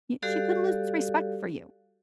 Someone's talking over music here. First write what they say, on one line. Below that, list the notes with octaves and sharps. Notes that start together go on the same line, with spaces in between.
she could lose respect for you.
G3 F#4 G4 A4 D5 F5